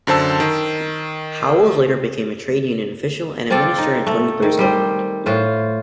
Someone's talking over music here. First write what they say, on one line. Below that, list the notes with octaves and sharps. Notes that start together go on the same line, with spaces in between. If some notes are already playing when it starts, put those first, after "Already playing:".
Howells later became a trade union official and a Minister in Tony Blair's government.
F#2 D3 C5 A5 E6
D#3
C4 F4 A4 D5
D#4
A3
D#3
G3 C5
A2 F4 C5